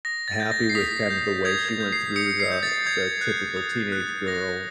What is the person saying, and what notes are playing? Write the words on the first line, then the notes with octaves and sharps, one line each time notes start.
happy with kind of the way she went through the the typical teenage girl
D#6 A#6
A6
G6
A#6
C7
D#6 B6
G6
D#6 G#6
G#6
G6
C7
D#6 C#7
C7
G6
A6
D#6 G#6
F#6
D#6
F#6
D#6 A#6